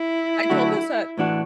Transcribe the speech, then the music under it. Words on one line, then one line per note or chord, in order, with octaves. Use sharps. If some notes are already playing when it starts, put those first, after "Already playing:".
I told this at,
Already playing: E4
D3 F#3 A3 D4 F#4
A2 E3 D4 F#4